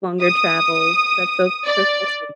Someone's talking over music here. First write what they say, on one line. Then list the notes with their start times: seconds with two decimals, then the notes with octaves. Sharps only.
along their travel. That's so that's so sweet.
0.22 D#6
1.67 D5